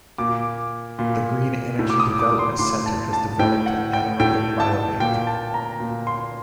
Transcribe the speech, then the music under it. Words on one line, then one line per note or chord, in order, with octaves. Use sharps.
The Green Energy Development Center has developed an anaerobic bioreactor.
A#2 D6
A#2
A2
D6
D#6
D6
C6
A2 C6
A5
A5
A2 G5
F#5
G5
A2 G5
A5
A#2 G5
A5
A#5
A#2
C6